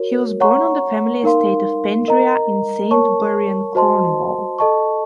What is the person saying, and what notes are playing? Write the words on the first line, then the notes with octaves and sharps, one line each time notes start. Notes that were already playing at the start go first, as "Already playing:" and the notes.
He was born on the family estate of Pendrea in Saint Buryan, Cornwall.
Already playing: F#4 A#4 C#5
C#5 F#5 A#5 C#6
D#4 A#4 F5 C6
A#4 D#5 A#5
A#4 C#5 A5 C#6
F#4 C5 D#5 A5 C6
A4 D#5 A5 C#6